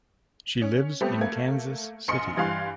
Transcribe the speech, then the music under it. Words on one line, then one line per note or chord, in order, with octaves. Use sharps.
She lives in Kansas City.
C#4
G3 A3 B3 C4 G4
A3 A#3 G#6
A#1 D#5 C6 C#7
G2 E3 G3 F5 C6 F#6